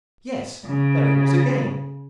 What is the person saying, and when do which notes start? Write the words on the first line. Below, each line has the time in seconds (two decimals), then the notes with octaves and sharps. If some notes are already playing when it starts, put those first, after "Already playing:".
Yes, there it was again!
0.65 C#3